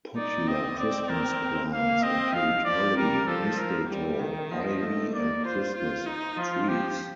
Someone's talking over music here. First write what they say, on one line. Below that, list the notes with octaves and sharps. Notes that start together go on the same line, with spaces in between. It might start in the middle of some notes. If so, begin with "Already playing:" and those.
Popular Christmas plants include holly, mistletoe, ivy and Christmas trees.
D#4 D5
C4 D#5
C4 D5
A#4
A#3 F5
C4 D#5
F3 F5
F3 D5
G3 A#4
F3 A4
A#4
G3
D#3
F3 D#5
A3
A#3 D5
F4 C5
F4 C5
D#4
F3 F4
F3 G4